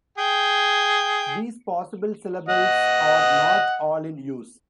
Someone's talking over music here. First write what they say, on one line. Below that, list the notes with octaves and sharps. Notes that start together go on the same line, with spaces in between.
These possible syllables are not "all" in use.
G#4 G5
D#5 F#5